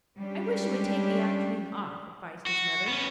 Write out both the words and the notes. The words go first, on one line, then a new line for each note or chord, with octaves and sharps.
"I wish you would take the afternoon off," advised his mother.
G3 G#3 C#4 D4 G4
F#4
B3 C#4